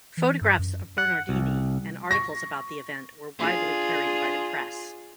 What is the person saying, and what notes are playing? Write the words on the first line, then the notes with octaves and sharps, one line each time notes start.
Photographs of Bernardini and articles about the event were widely carried by the press.
E3
G2
F#2
F#5
C2
C#6 A#6
D4 F4 G#4